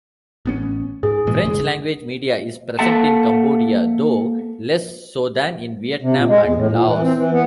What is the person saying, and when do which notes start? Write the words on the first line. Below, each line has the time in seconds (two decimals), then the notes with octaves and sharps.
French-language media is present in Cambodia, though less so than in Vietnam and Laos.
0.45 A1 B3 C#4
1.03 G#2 G#4
1.27 A#2 E3 G#3
1.45 F1 C#3 G#3
2.79 A#3 A4 E5 F#5 A5
6.02 C3
6.16 A#2
6.28 G#3
6.43 E2
6.56 A2
6.71 A#2
6.85 E3
7.03 C4
7.16 E3
7.32 B3